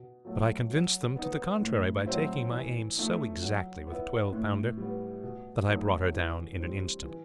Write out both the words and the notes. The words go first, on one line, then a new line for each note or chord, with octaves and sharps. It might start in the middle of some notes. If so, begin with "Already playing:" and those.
But I convinced them to the contrary by taking my aim so exactly with a twelve-pounder, that I brought her down in an instant.
Already playing: B2
F#3 A3
F#3
B3 D#4
A2
F#3 C4 E4
E3
A3 D#4
F#3
B3 E4
A2
G3 B3
B2
F#3 A3 D#4
E3
G3 C4 D#4
E3